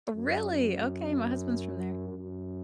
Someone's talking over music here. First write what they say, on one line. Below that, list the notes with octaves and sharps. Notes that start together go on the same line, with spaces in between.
Really? Okay, my husband's from there.
F#2
F#2